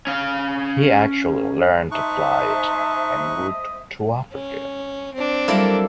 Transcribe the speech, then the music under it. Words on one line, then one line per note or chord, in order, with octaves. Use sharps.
He actually learned to fly it en route to Africa.
C#4 F5
D#4 C5 D#5 E5 A5 C#6 F#6
C#4
C4 D4
F#3 G3 A#3 E4 A4 A#4